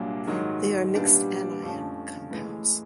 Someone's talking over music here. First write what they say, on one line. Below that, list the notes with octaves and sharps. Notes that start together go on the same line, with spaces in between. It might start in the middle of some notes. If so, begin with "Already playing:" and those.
They are mixed anion compounds.
Already playing: C2 A#2 F#3 A#3 D4
G#2 D#3 F#3
A#2 G3 B3 D4 G4
F2 D3 F3 A3 C#4
A2 E3 G#3